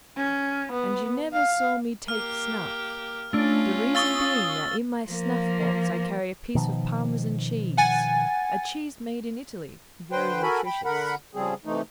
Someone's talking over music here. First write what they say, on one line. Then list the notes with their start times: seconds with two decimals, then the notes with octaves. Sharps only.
And you never saw me take snuff, the reason being that in my snuff-box I carry a piece of Parmesan cheese--a cheese made in Italy, very nutritious.
0.16 C#4
0.72 B3
1.33 F5
2.08 A#3 G4 F6
3.33 A3 C#4 D4 F4
3.95 F5 C#6 D#6 E6 A6 G7
5.08 F3 A#3
6.55 B2 D#3 F3
7.77 F#5 G#5 A6
10.12 D3 B4 C5 G5 C6
10.42 F#4 A4 A#4 G#5 B5
10.66 G5 B5
10.85 D3 A#4 F#5 B5
11.35 C#3 F3 G3 C4 G#4
11.65 C3 E3 A3 D#4